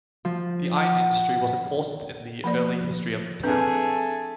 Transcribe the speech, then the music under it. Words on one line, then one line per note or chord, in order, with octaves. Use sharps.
The iron industry was important in the early history of the town.
F3
F#5
F3 A#3 D5
A3 C4 D4 G#4 B4